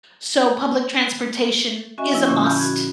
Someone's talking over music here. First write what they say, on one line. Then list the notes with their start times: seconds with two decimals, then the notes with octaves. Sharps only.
so public transportation is a must,
1.98 C#4 F#4 D#5 E5 G#5 C#6
2.12 F3 E4
2.25 A#2 D3 C#4 F4 C#6
2.44 A5 B5 C#6 D#6 F6 G6
2.59 A#2 F#4 G#6